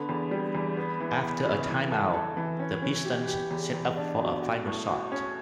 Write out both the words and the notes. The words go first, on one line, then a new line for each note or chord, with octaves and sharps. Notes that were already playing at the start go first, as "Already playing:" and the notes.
After a time out, the Pistons set up for a final shot.
Already playing: D3 B3
E2
G3
E2
B3
E3
B3
C#3
E3
A4
A4
E3
C#4
C#4
G4
G4
E2
E2
D4
B2
F#4
A2
F#4
C#4